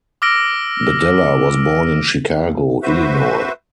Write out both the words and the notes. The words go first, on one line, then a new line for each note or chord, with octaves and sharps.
Bedella was born in Chicago, Illinois.
D6 E6 F6 A#6 D7
F#4 B4 C5 E5